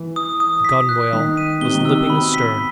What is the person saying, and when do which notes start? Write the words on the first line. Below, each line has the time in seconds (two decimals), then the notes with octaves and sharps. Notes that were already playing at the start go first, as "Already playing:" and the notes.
The gunwale was lipping astern.
Already playing: E3
0.16 D#6
0.40 D#6
0.65 B6
0.89 F#6
1.13 D#3 B6
1.37 D#7
1.61 C3 G7
1.75 D#3
1.85 C3 E6
2.09 B2 B5
2.34 B6